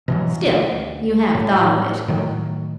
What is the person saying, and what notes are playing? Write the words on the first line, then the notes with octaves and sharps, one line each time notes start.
"Still, you have thought of it?"
B2 E3 F#3
D2
A2
A2 D#3 F#3